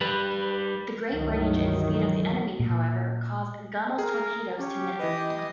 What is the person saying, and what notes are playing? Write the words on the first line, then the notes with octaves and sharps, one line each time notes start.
The great range and speed of the enemy, however, caused "Gunnel"'s torpedoes to miss.
G3 B4
C#2 G2 D#3 E3 F#3
A#2
G#4 A#4
C#4 G4
E3 B4 D#5